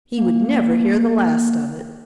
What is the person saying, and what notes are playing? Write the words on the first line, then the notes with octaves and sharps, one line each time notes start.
He would never hear the last of it.
A#3